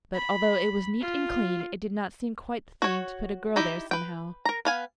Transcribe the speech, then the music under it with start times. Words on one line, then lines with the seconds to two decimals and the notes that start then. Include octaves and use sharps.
But, although it was neat and clean, it did not seem quite the thing to put a girl there somehow.
0.13 B5
1.00 F4
2.82 F#4 C#5
3.56 D#4 E4 G4
3.91 B4 G5
4.45 A#4 A#5
4.65 B3 F5 G#5